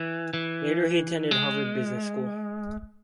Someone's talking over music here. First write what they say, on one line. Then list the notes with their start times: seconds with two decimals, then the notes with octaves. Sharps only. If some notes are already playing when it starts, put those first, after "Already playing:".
Later he attended Harvard Business School.
Already playing: E3
0.34 E3
1.31 G#3